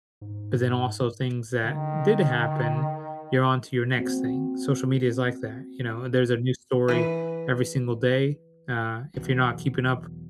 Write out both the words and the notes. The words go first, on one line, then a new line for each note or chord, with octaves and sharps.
but then also things that did happen, you're on to your next thing. Social media is like that, you know, there's a new story every single day, uh, if you're not keeping up
G#2
D3 D#3
A#3 C4 F#4
E3 B4
B1 E2